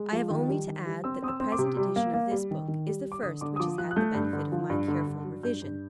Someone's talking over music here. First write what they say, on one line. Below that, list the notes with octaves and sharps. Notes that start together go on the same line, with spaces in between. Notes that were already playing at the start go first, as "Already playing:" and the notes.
I have only to add, that the present edition of this book is the first which has had the benefit of my careful revision.
Already playing: G#3
F3
D#3
G3
D#3
G3
C4 E6
C4 D#6
E6
C4
D6
C3
G3
A#3
A#3
G3
D#3
D#3
G3
G3
D6
D3 D#6
D3 D6
D#6
F3 D6
F3 F#6
F#6
A3 G6
G2
D3
F3
G2
D3
G2
F#3
G2 G6
G2